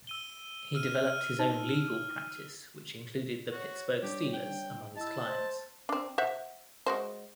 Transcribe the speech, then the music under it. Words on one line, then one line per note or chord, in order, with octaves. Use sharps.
He developed his own legal practice which included the Pittsburgh Steelers among his clients.
E6 D#7 G7
E6 F6 D#7
F6
D#4
F#4 C#5
G3 D4 G4
G5
E4 D#5 A5 E6
C5
C4 D4
C5 E5 F#5
G#3 F#4 C5